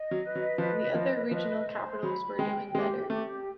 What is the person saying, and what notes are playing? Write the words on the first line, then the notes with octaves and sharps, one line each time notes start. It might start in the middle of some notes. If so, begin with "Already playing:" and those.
The other regional capitals were doing better.
Already playing: D#5
F#3
B4
F#3
F3 D#5
F3 B4
F3 D#5
C5
F#3 B5
G#3 G5
G#3 G4
A3 G4